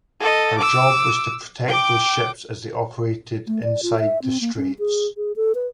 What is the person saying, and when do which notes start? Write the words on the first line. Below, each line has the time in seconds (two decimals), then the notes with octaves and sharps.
Her job was to protect those ships as they operated inside the straits.
0.20 A4 D#5
0.58 D6 E6
1.68 G5 D6
3.47 A3
3.63 D5
3.83 F4
3.99 E5
4.22 C4
4.41 A#3
4.57 C#4
4.79 G#4
5.17 G#4
5.36 A4
5.55 B4